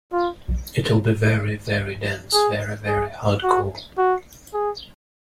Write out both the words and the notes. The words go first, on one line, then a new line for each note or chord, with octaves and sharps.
It'll be very very dense, very very hardcore.
F4
G#4
G#4
F#4
F#4
G#4